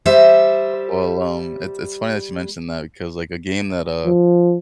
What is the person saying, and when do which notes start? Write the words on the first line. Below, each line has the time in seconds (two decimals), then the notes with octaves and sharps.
Well, um, it's it's funny that you mentioned that because, like, a game that, uh,
0.06 G3 C5 E5
4.06 F3